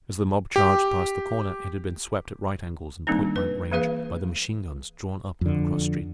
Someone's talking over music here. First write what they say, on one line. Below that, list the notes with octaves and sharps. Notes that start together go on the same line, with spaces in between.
As the mob charged past the corner, it had been swept, at right angles and point-blank range, by the machine-guns drawn up on the cross street.
G4
D#3 G3 A#3 C4 D4 D#4
B4
E3 A#3 G#4 B4 F5
F2 D3